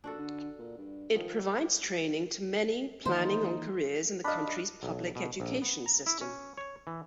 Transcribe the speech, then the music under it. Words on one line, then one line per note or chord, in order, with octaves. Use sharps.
It provides training to many planning on careers in the country's public education system.
A#1 D4 F#4 A4
D3
A#2
G2
D#3 F3
D#3 E3 A#3 D#4 C5
D4 D#5 F5 B5
B1
B2
A#1
B3
A#5
E4
C#4
C#5
E3